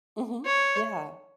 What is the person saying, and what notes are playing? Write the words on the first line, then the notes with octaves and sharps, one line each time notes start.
Mhm. Yeah.
C#5